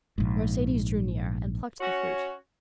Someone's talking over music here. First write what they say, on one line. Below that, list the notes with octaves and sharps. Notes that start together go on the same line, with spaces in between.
Mercedes drew near, and plucked the fruit.
A#1 G#2
C#4 F#4 C#5